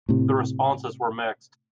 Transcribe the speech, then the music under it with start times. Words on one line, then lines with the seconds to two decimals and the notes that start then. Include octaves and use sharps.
The responses were mixed.
0.09 A2 C3